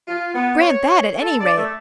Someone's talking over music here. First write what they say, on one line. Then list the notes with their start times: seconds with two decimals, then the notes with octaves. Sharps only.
Grant that at any rate.
0.08 F4
0.34 B3
0.61 C#5
1.21 A4
1.41 D5
1.57 A3